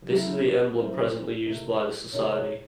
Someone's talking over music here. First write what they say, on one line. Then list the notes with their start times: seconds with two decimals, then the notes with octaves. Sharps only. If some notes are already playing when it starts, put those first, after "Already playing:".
This is the emblem presently used by the society.
0.10 F#3 A3 C#4 E4 A4
0.44 A4
0.66 A4
0.78 F#3 A3 C#4 E4 C5
1.46 C3 D#3 A3
2.13 C3 D#3 A3 C#5